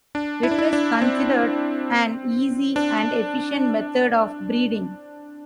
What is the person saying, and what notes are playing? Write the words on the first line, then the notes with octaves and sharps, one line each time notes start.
It is considered an easy and efficient method of breeding.
D4
E4
D4
E4
D4
C4
D4